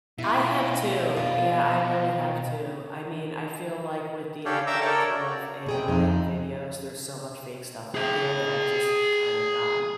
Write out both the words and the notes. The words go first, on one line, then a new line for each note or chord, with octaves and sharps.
I have too, yeah, I really have too, I mean, I feel like with the advent of AI videos, there's so much fake stuff out there that I've just kind of gotten
B2 E4 F4
F4
G4 A4 C#5 D5 F5 G5
E5 G5 A#5 D6 E6
A4 A#4 C#5 D5 G5
F#4
B2 G#4 G5
F2 D#4
G#4 G5